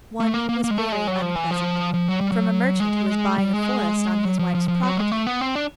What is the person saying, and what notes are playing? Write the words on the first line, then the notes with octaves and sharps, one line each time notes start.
One was very unpleasant, from a merchant who was buying a forest on his wife's property.
A3
A#3
A#3
A#3
G#3
A3
G#3
F#3
F3
E3
F3
F3
F#3
G3
F#3
G#3
G3
G#3
F#3
F3
F3
F3
F#3
G#3
A3
B3
C4
D4